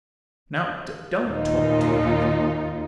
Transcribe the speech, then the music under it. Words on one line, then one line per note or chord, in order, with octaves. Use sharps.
Now don't talk too much.
D#2 A#2 D#4 F4